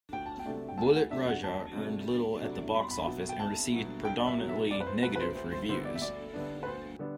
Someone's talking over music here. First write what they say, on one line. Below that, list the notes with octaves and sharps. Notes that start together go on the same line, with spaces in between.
"Bullett Raja" earned little at the box office and received predominantly negative reviews.
D2 G5
A5
G5
C3 F#3 A3 D4
G5
D2 A5
F#5
C3 F#3 A3 D4 E5
F#5
D2 A5
C3 F#3 A3 D4
D2
C3 F#3 A3 D4
C2 B5
C6
B5
B2 F#3
G5
C2 A5
B2 F#3
C2 G5
D5
E5
B2 F#3
E5
C2 D5
B4
C5
B2 F#3 B4
B4
C5
D2 C5
C5
D3 G3 B3 D4 C5
D5
E5
D2 D5
D3 G3 B3 D4
B4
D2 C5
D3 G3 B3 D4